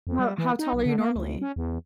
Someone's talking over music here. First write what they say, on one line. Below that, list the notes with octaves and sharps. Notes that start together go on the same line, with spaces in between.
How how tall are you normally?
F2
G3
E3
D#4
B1
D3
A#3
D2
C#4
E2